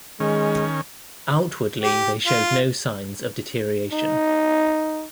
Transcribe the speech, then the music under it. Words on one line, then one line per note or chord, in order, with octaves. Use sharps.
Outwardly they showed no signs of deterioration.
D#3 G#3 C#4
G4
F4
D#4